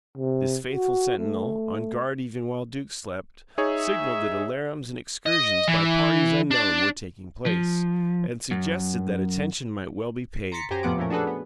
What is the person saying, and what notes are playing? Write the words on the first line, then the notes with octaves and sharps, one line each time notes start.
This faithful sentinel, on guard even while Duke slept, signalled that alarums and excursions by parties unknown were taking place, and suggested that attention might well be paid.
C3
F#4
A3
D#4 G#4 C#5 E5
D#5
E3
D4
F3
F#2
A#5 C6 A6 B6 C#7
F#2 G4 C5 G#5 A#5
F2 A2 F3 B3 F#5 D6
A#2 F3 A3 C#4 A#4
D4 F#4 G#4 A4 B4
B3